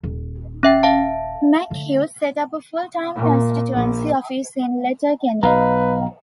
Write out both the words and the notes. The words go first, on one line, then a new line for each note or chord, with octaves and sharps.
McHugh set up a full-time constituency office in Letterkenny.
D#1
C#4 E5 G5
E5 F5 A5
D3 A3
A#2
A#1
B1 B4 D#5 F5 A#5